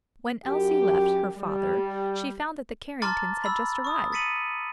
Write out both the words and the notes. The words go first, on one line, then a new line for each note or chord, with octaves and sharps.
When Elsie left her father she found that the Carringtons had just arrived.
F#2 G4
G3
A5 A#5 C6 D6 F6 A6
B5 E6
C#6 D#6
A6 B6 C#7 D#7 F#7